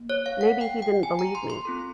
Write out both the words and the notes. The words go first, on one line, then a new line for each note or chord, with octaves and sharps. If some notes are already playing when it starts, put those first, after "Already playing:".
Maybe he didn't believe me.
Already playing: A#3
C#5
F5
F#5
G5
G5
G#5
A#5
C6
C6
C4 F4 A4